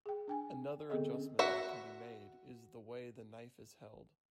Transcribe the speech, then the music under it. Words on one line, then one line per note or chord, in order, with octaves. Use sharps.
Another adjustment that can be made is the way the knife is held.
G#4 G5
D4 G5 G#5
D3 B3 C4 G#4 A4 D#5
C4 C#4
F#4 E5 F#5